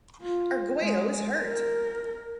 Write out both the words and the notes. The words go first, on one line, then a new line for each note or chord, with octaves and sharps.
Arguello is hurt!!
F4
G#3
A#4